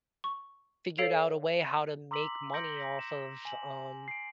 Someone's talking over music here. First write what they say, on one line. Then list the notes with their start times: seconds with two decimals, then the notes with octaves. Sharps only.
figured out a way how to make money off of, um,
0.24 C#6
0.98 A4 C#5 F5 C7 D7 F7
2.11 A#5 C6 D6 E6 B6 F#7
2.53 C6 G6 A#6 C#7 D7 F#7
2.77 A#6 B6
2.99 E7
3.45 G#5 F#7
4.08 C7 D7